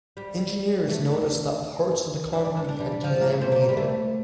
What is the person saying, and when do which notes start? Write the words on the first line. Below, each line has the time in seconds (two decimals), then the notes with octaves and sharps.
Engineers noticed that parts of the concrete had delaminated.
0.17 G3
0.89 A3
1.12 D4
2.33 D4
2.45 D4
2.57 D4
2.69 D4
2.80 G3
3.04 F3
3.21 A#3
3.29 A3
3.41 C4
3.52 A#3
3.69 G3
3.77 A3